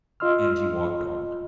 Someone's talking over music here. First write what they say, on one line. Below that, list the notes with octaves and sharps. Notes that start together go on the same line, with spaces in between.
And he walked on.
F4 D#5 C6 E6 F6